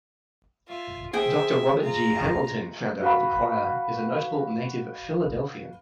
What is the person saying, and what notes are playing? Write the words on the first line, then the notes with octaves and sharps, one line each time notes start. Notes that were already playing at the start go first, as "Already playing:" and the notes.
Doctor Robert G. Hamilton, founder of the choir, is a notable native Philadelphian.
F4 E5
G#4 C5 E5 G5
F4 A#5
F#4 B4 F5 B5